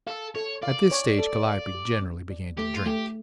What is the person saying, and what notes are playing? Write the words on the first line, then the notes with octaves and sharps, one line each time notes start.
At this stage Calliope generally began to drink.
A4 F5
A4 C#5
D5 F5
C#5
A4
F5
G4
C#4
D5
A3 G4
F4
A3 G4